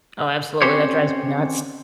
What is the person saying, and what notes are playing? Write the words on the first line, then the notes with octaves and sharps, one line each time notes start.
Oh, absolutely. That drives me nuts.
C4 C#4 G4 C5 C#5